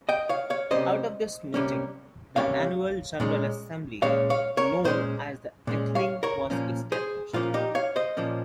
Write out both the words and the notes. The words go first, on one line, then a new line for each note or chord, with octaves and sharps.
Out of this meeting, the annual general assembly known as the Althing was established.
D#5 G5
C#5 F5
C#5 F5
C3 G3 A#3 C#4 C5 D#5
C3 G3 A#3 C#4
C3 G3 A#3 C#4 C#5 F5
A#2 G#3 C#4
A#2 G#3 C#4 C#5 F5
C#5 F5
A#4 C#5
A#2 G#3 C#4 G#4 C5
A#2 G#3 C#4
C#5 F5
A#4 C#5
A#2 F3 A#3 C#4
G#4 C5
A#2 F3 A#3 C#4 F4
D#4 G4
C#5 F5
C5 D#5
A#2 F3 A#3 C#4